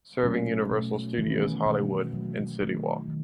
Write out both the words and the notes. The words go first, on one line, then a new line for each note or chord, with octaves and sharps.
Serving Universal Studios Hollywood and City Walk.
B2 F#3 A3 C#4
B2 A3
D#3 E3 A3 E4
C#4
B3
B2 G#3
B2 F#3 A3
D#3 F#3 A3 D#4
D#3